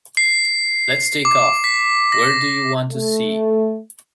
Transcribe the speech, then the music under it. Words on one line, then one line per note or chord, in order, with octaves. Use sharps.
Let's take off. Where do you want to see?
C7
D6
B6
A#6
A3